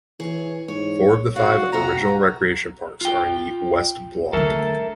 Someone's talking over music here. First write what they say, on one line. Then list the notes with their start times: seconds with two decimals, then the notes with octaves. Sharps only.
Four of the five original recreation parks are in the West Block.
0.20 E3 G#4 C#5
0.68 G#2 C#5
1.36 F#1 F#4 D5 F5
1.72 F2 C3 F#4 A#5
3.01 F4 G5
4.33 D3 A3 A4 A#4 E5